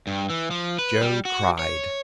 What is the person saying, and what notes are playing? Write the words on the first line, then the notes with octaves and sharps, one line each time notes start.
Joe cried.
G2
E3
F3
B4
G3
F#4
C#5